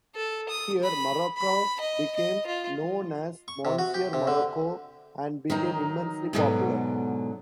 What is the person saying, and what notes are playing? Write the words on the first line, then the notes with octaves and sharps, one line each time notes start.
Here Marocco became known as "Monsieur Moraco", and became immensely popular.
A4
D#6
B5
B5
D#5
D#5
F4
C#6
C3
F#4
G4
C3
D3
D#3 F#3 D#4
G#2 B2 D3 E3 F#3